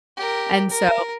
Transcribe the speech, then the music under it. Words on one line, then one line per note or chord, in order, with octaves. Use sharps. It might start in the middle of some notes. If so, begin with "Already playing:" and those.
and so,
G4 A#4
A#4